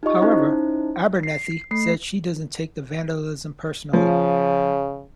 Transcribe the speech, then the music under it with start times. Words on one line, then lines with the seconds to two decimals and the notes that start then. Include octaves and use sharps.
However, Abernethy said she doesn't take the vandalism personally.
0.03 D#4 F4 G4 D#5 C#6
0.22 C#4 D#4 E4 C5
1.23 C7
1.71 A3 C7
3.93 C#3 F3